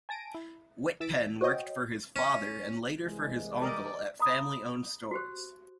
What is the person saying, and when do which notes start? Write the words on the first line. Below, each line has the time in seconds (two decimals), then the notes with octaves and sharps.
Wittpenn worked for his father, and later for his uncle, at family-owned stores.
0.09 G#5 A5 A#6 D7 D#7
0.35 E4
1.00 E3 E6 A6 B6 D7
1.41 F#4 C5 C#5 D#5 G5
2.16 C#4
3.04 C2 E3 G#3
3.62 G4 A#4 D5 D#5
4.20 D#5 A#5 B5 D#6
5.11 F#4 G4 C5